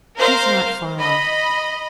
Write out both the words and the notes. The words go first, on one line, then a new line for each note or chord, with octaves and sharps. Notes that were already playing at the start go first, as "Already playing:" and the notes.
He is not far off....
A#4 C5 F5
D#5 B5